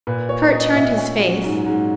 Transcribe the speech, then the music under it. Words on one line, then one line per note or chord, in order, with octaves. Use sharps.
Kurt turned his face.
A#2 B4
A#2 C#5
C#4 D#5
A#2 E5
C#4 G#5
F#3
G#2
G#2